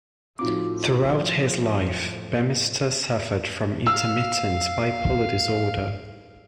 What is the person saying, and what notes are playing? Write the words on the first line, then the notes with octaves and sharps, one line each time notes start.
Throughout his life, Bemister suffered from intermittent bipolar disorder.
A2 F3 C4 D#4 F4 F#4 D6
F5 E6